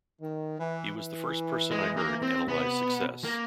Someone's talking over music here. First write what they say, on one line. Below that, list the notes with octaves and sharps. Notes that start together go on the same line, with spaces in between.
He was the first person I heard analyse success.
D#3
E3
E3
G#3
A#3
C4
C3 B3
B2
A#3